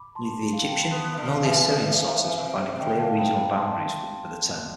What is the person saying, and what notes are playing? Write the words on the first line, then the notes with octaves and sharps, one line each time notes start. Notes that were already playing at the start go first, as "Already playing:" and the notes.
Neither the Egyptian nor the Assyrian sources provided clear regional boundaries for the term.
Already playing: B5 D6
A5 C6
F5
G5
A5
B5
B3 A5 C6
E3
D3
F5 A5
E3
D3
E3 E5
D5 F5
E3
F5
C5 E5
E3
B2
C3 C5
C5 E5
C3
D3 E5 G5
F5 A5
C3 G5 B5
A5 C6